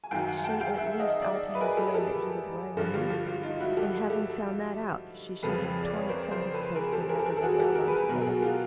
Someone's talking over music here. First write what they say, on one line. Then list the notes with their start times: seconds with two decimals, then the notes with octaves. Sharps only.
She, at least, ought to have known that he was wearing a mask, and having found that out, she should have torn it from his face, whenever they were alone together.
0.04 G#5
0.11 F#2 D#3 F#3 F5 G5
0.27 F#5 G#5
0.44 G5 A5
0.61 F5 G5
0.77 E5 F#5
1.00 D#5 F5
1.21 D5 E5
1.55 B4
1.60 G#4 A#4
1.77 G4 A4
1.94 G4 A4
2.77 G2 D3 F3 G4 A4
2.94 F4 G4
3.10 F4 G4
3.27 F4 G4
3.43 D#4 F4
3.60 E4 F#4
3.77 G4 A4
4.10 G4 A4
5.43 F2 C#3 F3 A4 B4
5.83 D5
5.96 C#5
6.09 A#4 C5
6.31 A#4 C5
6.54 A4 B4
6.76 G#4 A#4
6.92 G4 A4
7.09 G#4 A#4
7.19 A4
7.26 G#4 A#4
7.37 A4
7.42 F#4 G#4
7.59 G4 A4
7.75 G#4 A#4
7.88 B4
7.92 G#4 A#4
8.09 B2 F#3 G#4 A#4
8.21 A4
8.25 F#4 G#4
8.42 F4 G4